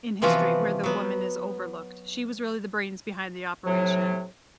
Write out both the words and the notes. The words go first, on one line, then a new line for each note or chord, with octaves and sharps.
in history, where the woman is overlooked. She was really the brains behind the operation,
C3 E3 F3 B3 F4 F#4
F#3 B3
A2 C3 F#3